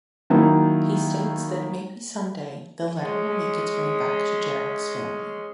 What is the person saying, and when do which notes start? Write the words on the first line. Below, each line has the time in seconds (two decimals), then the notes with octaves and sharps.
He states that maybe someday, the letter will make its way to Jarok's family.
0.30 D#3 F#3 A#3 D#4 E4
3.00 G#3 C#4